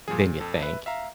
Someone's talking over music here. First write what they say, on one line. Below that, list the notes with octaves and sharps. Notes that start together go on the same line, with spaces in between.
than you think,
A#2 F3 G3 G#4
A#2
F2 A4
B4 E5
E5 F5 A#5